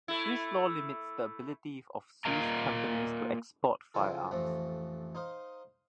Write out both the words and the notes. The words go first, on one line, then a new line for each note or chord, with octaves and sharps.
Swiss law limits the ability of Swiss companies to export firearms.
A3 E4
A#3 F4 A#4 D#5 F5 A#5
C#3 F3 E4 F4 A4
A1 F2 F3 A3 C4
D#4 C5 F5 D#6